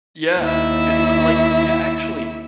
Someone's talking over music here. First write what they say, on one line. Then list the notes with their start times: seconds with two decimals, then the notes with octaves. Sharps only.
Yeah. Could you ma like, yeah, actually
0.39 D#2 E4